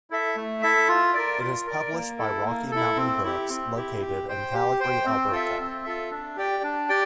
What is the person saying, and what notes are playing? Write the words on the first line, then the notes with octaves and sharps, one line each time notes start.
It is published by Rocky Mountain Books, located in Calgary, Alberta.
E4 A4 E5
A3
E4 A4 E5
F4
A#4 D5
F4
A#4 D5
A#3
E4 A4
A#3
E4 A4
C4
E4 G4
C4
E4 G4
G4
C5 G5
G4
C5 G5
C4
F4 A4 E5
C4
F4 A4 E5
D4
G4 D5 G5
D4
G4 D5 G5